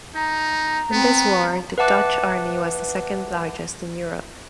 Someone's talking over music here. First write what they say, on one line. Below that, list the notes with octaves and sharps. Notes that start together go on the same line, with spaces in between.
In this war the Dutch army was the second largest in Europe.
D#4 A#5
B3 C4
B4 E5 F#5 A5 D6 F#6